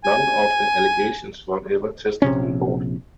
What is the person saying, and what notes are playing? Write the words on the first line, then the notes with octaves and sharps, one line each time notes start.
None of the allegations were ever tested in court.
G#5
A#1 C3 C#4